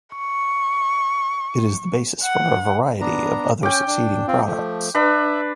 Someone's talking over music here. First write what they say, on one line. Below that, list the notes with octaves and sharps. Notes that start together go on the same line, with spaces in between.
It is the basis for a variety of other succeeding products.
C#6
F#5
B3 D4 A#5
C#4 G5 D6
D4
C4 F4
F3 A3
D4 B4 E5